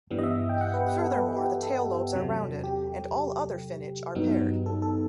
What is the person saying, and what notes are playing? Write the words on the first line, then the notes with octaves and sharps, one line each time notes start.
Furthermore, the tail lobes are rounded, and all other finnage are paired.
G2 E3 G3 B3
D#5
E5
G5
F#5
B4
G4
A4
B4
G4
A4
E2 C3 F#3
G4
G2 F#3 B3 D#4
A4
A4